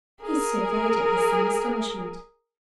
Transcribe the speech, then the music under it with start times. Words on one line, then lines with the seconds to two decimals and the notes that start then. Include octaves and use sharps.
He surveyed it with some astonishment.
0.22 G#4 A#4